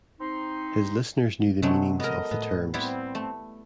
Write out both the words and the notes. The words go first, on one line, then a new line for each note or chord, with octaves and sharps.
His listeners knew the meanings of the terms.
C4 D#4 C6
C3 F#3 G#3 A3
B3 A4 A#4 D#5
A2 B3
G3 B3 C4 E4
A3